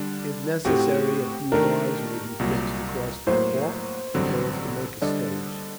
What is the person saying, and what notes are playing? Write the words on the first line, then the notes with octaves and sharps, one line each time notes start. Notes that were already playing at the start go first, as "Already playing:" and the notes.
If necessary, a few bars may be fixed across the fork so as to make a stage.
Already playing: D3 G3 D4
A2 A3 C4 F#4 G4
D#3 A3 D4 A#4
C2 A#2 F#3
A2 F#3 A#3 C5
A1 G2 D3 F#3 C4
D3 G3 D4 A4 D5 D#5